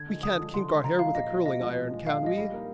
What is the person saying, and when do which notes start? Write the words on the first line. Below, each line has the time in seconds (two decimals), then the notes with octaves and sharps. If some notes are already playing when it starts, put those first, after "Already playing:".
We can't kink our hair with a curling-iron, can we?
Already playing: D3 G#6
0.08 F3 G#3
0.23 D3 D#6
0.38 F3 G#3
0.54 D3 C6
0.69 F3 G#3 C6
0.84 D3 A#5
0.99 F3 G#3 F5
1.15 A#2 D#5
1.31 F3 G#3
1.45 A#2 D#5
1.61 F3 G#3
1.76 A#2
1.91 F3 G#3
2.07 A#2 F5
2.22 F3 G#3 D#5
2.37 G3
2.52 A#3 D#4